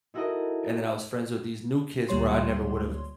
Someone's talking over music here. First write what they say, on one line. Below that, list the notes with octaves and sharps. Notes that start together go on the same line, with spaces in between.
and then I was friends with these new kids where I never would've
D#4 E4 F#4 A4 A#4 D#5
D2 A#2 G3 C#5 C6